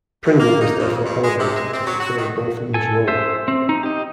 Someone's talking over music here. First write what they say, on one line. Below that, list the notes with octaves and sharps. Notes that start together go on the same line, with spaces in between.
Pringle was therefore elevated to fulfill Botham's role.
F#2
A#3
D#4
F2
G2
G#3
C3
G#3
C4
F#3
F#4
D#3
A4 G#5
C5 E5
C4
D#4
G4 D#5